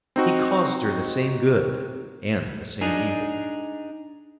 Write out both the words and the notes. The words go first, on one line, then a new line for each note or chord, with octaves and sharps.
He caused her the same good and the same evil.
C4 D#4 F#4
D4 D#4 G#4